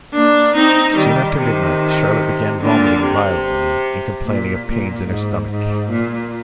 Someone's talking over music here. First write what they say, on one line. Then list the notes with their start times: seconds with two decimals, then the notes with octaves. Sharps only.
Soon after midnight, Charlotte began vomiting violently and complaining of pains in her stomach.
0.13 A#3 D4
0.54 C4 D#4
0.95 D#3 G3
1.36 C3 D#3
2.60 A#2 D3
3.01 C3
4.25 A#2
4.66 A#2
5.07 G#2
5.48 G#2
5.89 A#2